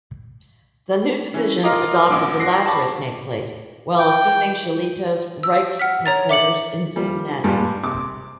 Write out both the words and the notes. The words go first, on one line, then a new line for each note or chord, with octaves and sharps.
The new division adopted the Lazarus nameplate, while assuming Shillito's Rike's headquarters in Cincinnati.
E3 C#4
F4 A#4 D#5 A#5 D6
A1 F#3 D6
F#5 A#6 C7
A5 B5 C#6 D6
G5
E6
F#5 F6 B6
C#5 A#5 A6
E5 D6 C#7 F#7
F3 G3
G2 A#2 G3 G#3
C3 D6